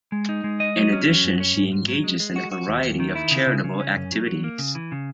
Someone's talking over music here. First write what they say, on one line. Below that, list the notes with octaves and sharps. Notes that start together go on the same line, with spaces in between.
In addition she engages in a variety of charitable activities.
G#3
D#4
G#3
D#5
F#3
C#4
F#3
F#2
C#4
G#2
G#2
F#3
G#3
G#3
F#4
F#4
D#2
D#2
D#3
E4
C#3
C#3
C#3
C#4
F#2
F#3
F#3
A#3
C#3
E3
C#3